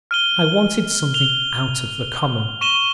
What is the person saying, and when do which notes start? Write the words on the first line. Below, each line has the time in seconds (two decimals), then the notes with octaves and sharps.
I wanted something out of the common.
0.11 F6 D#7 G7
1.14 F7 G7
2.61 C#6 D#7 E7 G7